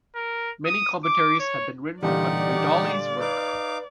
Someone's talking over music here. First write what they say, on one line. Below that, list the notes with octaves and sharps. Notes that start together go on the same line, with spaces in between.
Many commentaries have been written on Baidawi's work.
A#4
D#6
D6
C#5
A#2 D3 E3 G3 D#4 G4 D5 F#5
D#4 B4 F5 D6